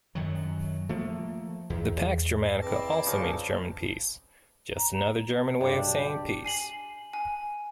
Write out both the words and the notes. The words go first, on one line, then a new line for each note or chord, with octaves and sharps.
The "Pax Germanica" also means 'German peace', just another German way of saying peace.
F#2 D#3 F#3
F3 A3 A#3
E2
C4 E4 G#4 B4 D5 A5 A#6
C#3 F3 D#4
A#5
B1 G2 D4 G4
G#5 C7 F#7
G#5